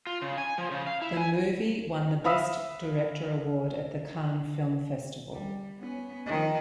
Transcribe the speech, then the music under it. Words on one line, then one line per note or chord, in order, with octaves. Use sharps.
The movie won the Best Director award at the Cannes Film Festival.
F4
C#3
G#5
F3
C#3
F5
E4
G#5
E5 F5 B5 D#6 E6
G3
B3 C#4
D#3 F3